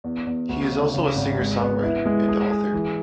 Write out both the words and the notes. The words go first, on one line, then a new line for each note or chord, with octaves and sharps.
He is also a singer-songwriter, and author.
E2
E2
D2
C#3
C#3
G#1
G#3
B3
E4
G#3
G#4
G#4
E3